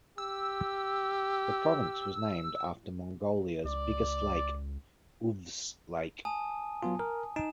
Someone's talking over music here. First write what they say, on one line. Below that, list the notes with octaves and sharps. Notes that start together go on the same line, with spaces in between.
The province is named after Mongolia's biggest lake, Uvs Lake.
G4 E6
C#2 D5
G#5 A5 D#6
F#3 B3 F4
A#4
D#4 E7